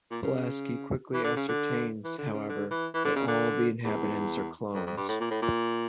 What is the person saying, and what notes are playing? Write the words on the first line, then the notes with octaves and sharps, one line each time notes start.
Pulaski quickly ascertains, however, that all of the inhabitants are clones.
A#2
C#3
E3
D3
C#3
D3
E3
D3
C#3
D3
E3
E3
D3
C#3
D3
E2
F2
F2
G2
A2
A#2
A2
A#2